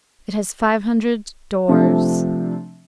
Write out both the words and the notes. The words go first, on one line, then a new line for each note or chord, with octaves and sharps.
It has five hundred doors.
C3 F3 A3 C4 D4